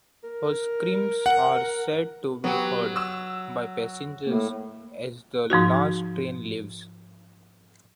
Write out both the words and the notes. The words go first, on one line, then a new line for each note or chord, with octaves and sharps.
Her screams are said to be heard, by passengers, as the last train leaves.
A#4
F#5
F#3 B3 G4
E6 E7
A2 A#3
G#2 F3 D#4 F#4